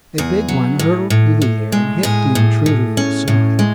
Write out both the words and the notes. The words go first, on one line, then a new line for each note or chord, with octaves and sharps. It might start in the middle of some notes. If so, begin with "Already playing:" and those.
A big one hurtled through the air and hit the intruder in the side.
E2 G#4
F#3
A2
A2
A2
G#3
A2 G#4
A2
A2
C#4
A2
G#3